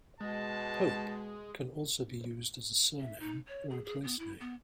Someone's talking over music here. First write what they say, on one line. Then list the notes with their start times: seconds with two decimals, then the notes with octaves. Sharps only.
"Pope" can also be used as a surname or a place name.
0.20 B2 G#3 D#5 A5
3.01 E5
3.20 D#4
3.48 C#5
3.70 G#4
3.85 G#4
4.04 B3
4.19 E4
4.40 B3